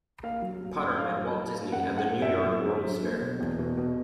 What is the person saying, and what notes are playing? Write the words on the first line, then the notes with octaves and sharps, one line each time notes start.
Potter met Walt Disney at the New York World's Fair.
A#3 F5
F#3
F#3
F#2
D3 F5
F#3
F#3
A#3
F#2 F#5
F#2
F#5
A#3
E5
F#2
F#3
D3
F#3
A#3
B2
E2
B2
B2